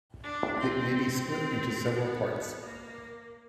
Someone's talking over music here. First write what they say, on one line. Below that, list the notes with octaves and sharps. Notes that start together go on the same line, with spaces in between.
It may be split into several parts.
D4
C4
C4
B3
A#3